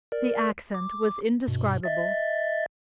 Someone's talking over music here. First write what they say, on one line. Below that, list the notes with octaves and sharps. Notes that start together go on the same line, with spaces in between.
The accent was indescribable.
A#4 D5
D6
G2 B2
D#5 E5 A6